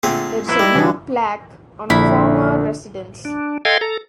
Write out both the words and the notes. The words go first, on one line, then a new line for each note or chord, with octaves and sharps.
There is a blue plaque on a former residence.
A#2 D3 A3 C4 G#4
A#1 E4 B4 C6
G3 D#4
D3 E3 F#3 D4
A#1 D3 E4 B5
D4
A4 D#5 F5 G5 C6 G#6
A4 A#5